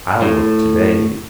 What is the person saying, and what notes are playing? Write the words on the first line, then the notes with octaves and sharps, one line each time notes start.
I'll look today.
A2